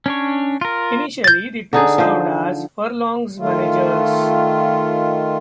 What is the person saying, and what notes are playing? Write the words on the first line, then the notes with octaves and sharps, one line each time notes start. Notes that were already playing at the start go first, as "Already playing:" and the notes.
Initially, the two served as Furlong's managers.
C#4 D4 C#5
F4 A#4
G6 A6
D3 D#4 G#4
F3 C5
D#3 A3 F4